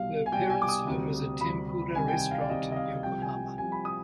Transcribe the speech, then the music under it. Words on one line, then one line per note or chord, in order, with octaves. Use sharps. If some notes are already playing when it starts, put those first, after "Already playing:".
Her parents' home is a tempura restaurant in Yokohama.
Already playing: C2 B2 G3 F5
G#5
C2 B2 G3 G5
G#5
D6
D#6
D2 C3 G3
D2 C3 G3 B5
C2 C3 D#3 G3 G#5
G5
G#5
F5
D5
C2 C3 D#3 G3 D#5
D#5
F5
C2 C3 F3 G5
G#5
C2 C3 F3 G#5
B5
D#6